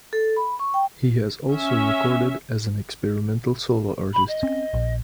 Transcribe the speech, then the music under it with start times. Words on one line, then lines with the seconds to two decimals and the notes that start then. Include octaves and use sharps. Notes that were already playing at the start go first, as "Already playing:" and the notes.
He has also recorded as an experimental solo artist.
0.13 A4
0.36 B5
0.59 C#6
0.74 G5
1.50 C#4 E5
4.13 B5
4.28 D#5
4.43 C4 C#4
4.74 A#1